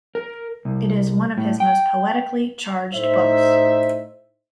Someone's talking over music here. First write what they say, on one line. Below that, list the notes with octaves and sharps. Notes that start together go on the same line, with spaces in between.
It is one of his most poetically charged books.
A#4
C2
A2
G5
A2 D#4 C5 E5